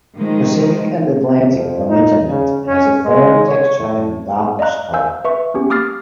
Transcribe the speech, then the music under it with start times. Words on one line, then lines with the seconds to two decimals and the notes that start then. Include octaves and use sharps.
Pacific and Atlantic bonito meat has a firm texture and a darkish color.
0.17 D#3 F3 G#3
1.52 F2
1.89 D#4
2.26 C#3
2.66 C#4
3.03 G#3
3.47 C#5
3.79 A2
4.59 D5 D#5 F5 A#5 F#6
4.93 C5 F5 G#5 E6 G6
5.25 B4 E5 C#6
5.54 B3 C#4 G4
5.70 A#3 D6 D#6 F6 A6 C7